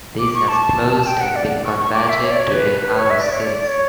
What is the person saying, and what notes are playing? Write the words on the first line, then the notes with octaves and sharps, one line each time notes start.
This has closed and been converted to a house since.
D6
C#6
A5
G5
F#5
D5
C#6
C#6
D6
E5
C#5
D5
C#5
B4
B4
C#5
E5
D5
C#5
D5
C#5